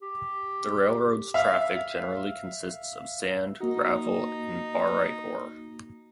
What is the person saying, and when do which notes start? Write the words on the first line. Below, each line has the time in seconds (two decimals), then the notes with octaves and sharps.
The railroad's traffic generally consists of sand, gravel, and barite ore.
0.02 G4
1.34 E5 F5
3.61 A#3 D#4 F#4